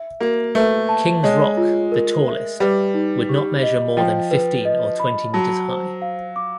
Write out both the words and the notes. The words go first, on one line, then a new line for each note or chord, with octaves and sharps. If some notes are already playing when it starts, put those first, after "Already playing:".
King's Rock, the tallest, would not measure more than fifteen or twenty metres high.
Already playing: E5
A#3 F#4
A3 B4
A5
G#3 C#5
F4
A#4
E5
G3 B4
D#4
G4
D#5
F3 G5
B4
D#5
B5
F#3 A5
C5
F5
D6